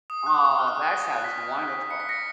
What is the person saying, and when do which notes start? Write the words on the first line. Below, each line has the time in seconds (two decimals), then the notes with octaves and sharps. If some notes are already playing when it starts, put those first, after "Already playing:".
Aw, that sounds wonderful.
0.10 D#6
0.26 F#6
0.59 F6
0.68 F#6
0.75 D#6
0.83 F#6
0.91 A#6
1.24 B6
1.91 C#7
2.00 B6
2.09 A#6 C#7